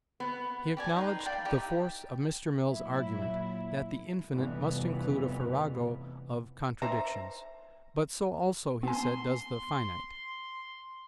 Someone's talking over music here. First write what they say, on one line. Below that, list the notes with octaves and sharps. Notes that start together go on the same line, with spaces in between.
He acknowledged the force of Mr. Mill's argument, that "The Infinite" must include "a farrago of contradictions;" but so also, he said, does the Finite.
B3
G4 D5 G#5
D#4 B4 C6
D5 F5 G5 B5
D#4 E4 G4 B4
A#2 F#3 E4
F1 G2 E3 F3 B3
C5 E5 A#5
B3 G#5 C6